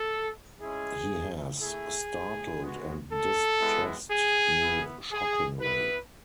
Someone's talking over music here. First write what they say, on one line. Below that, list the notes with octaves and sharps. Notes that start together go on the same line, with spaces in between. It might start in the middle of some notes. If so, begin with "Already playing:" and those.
He has startled and distressed me shockingly!
Already playing: A4
G#3 C#4 E4 G#4
A3 E4 G#4
G#3 B3 F#4
A4
G#3 B3 E4
G#4
B3 E4
G#4
B3 E4 B4